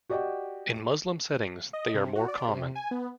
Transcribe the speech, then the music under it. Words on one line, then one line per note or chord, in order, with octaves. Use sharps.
In Muslim settings they are more common.
F#4 G4 D5 D#5 F#5 G5
D#5
C3
F#4
D5
C3
G#5
B3